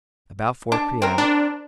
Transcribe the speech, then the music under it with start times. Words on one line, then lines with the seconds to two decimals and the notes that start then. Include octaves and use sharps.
About four p.m.
0.72 D4
1.02 C4 A#4
1.18 D4